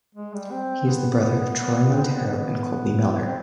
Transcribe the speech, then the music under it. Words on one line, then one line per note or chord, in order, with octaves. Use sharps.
He is the brother of Troy Montero and Colby Miller.
G#3
G3
C4
B3
B3
B3
B3
C4
B3
B3
B3
C4